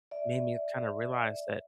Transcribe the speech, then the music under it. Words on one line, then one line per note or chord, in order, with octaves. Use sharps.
made me kinda realize that
D5 E5